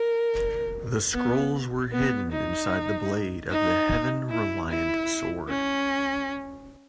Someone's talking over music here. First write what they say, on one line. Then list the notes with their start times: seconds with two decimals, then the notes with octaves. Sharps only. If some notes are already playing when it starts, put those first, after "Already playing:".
The scrolls were hidden inside the blade of the Heaven Reliant Sword.
Already playing: A#4
1.13 B3
1.92 B3
2.32 D#4
3.50 D#4
4.30 E4
4.70 E4
5.49 C#4